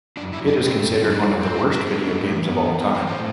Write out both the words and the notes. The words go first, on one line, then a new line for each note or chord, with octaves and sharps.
It is considered one of the worst video games of all time.
F#2 D4 D5
F#2 E4 E5
C4 D4 D5
B3 C4 B4
F#2 A3 A4
F#2 A3 A4
C4 D4 D5
F#2
C4
F#2 E4 E5
C4
F#3 D4 D5
B3
A2
E3
B3
E3
B3
E3 C4 C5
A2 C5